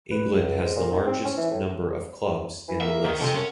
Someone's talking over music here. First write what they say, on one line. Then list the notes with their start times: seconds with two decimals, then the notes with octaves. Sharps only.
England has the largest number of clubs in the list.
0.11 B4
0.36 C#2
0.61 G#2
0.76 A#2
0.91 D#3
1.07 C4
1.25 C#4
1.38 E3
1.51 A2
2.68 E3
2.81 A#3 E5
3.04 D#3 A#3
3.21 F2 C3 C4
3.35 F#2 C#4